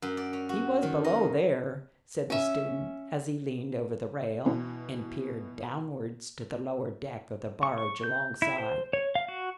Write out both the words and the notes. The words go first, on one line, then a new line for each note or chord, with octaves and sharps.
"He was below there," said the student, as he leaned over the rail and peered downwards to the lower deck of the barge alongside.
F#2
D5
C#4
F#4
D#3
D#5
C#4 E5
B2 E3
C#6
C#6
G6
E4
C5
C#5
F5
F#4